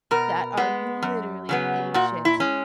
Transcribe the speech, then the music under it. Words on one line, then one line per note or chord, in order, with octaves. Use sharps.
that are literally ancient.
B2 A#4
G#3 B3
F#2
C#3 F#3 B3
A#2 F#4
E4
G#3 C#4